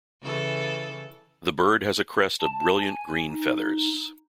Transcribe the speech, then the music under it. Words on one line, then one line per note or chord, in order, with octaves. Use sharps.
The bird has a crest of brilliant green feathers.
C#3 E3 A4
A5
G#5
D#4